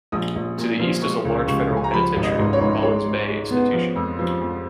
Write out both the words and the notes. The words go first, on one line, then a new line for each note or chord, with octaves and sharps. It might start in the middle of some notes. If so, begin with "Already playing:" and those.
To the east is a large federal penitentiary, Collins Bay Institution.
A#1 D#6
A#1
A#2
F3
G#3 C#6
C#2
C#2 C#6
C#2
G#5
A#5
F3 B5
G#1
D#5
G#2
C#5
G#2
G#3 C#5
G#3
G#3
B3
F3
F2
F3
F2